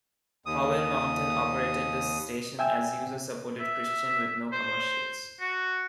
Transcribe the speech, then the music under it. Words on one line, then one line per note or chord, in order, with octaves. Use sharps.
Howell Mountain operated the station as "user supported Christian" with no commercials.
D#2 D#6
E5 G5 G#5 E6
E5
C5
F#4